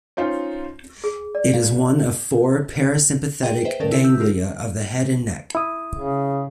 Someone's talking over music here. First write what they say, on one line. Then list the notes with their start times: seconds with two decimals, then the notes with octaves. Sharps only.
It is one of four parasympathetic ganglia of the head and neck.
0.17 C#4 D#4 F4 C5
1.04 G#4
1.35 D5
1.54 F5
3.43 G#4 D#5 G5
3.64 B4 C5 D#5 E5 G5
3.80 D3 C#4 A4 A#4 D5
3.92 E4 E5
4.04 E6 G6
4.20 F4 G4 A#4
5.55 E4 D#6
5.99 C#3